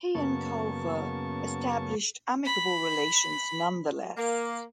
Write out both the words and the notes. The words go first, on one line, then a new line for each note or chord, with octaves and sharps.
He and Culver established amicable relations nonetheless.
F#2 C#3 A#3 B3 A5 C#6
B5
A#3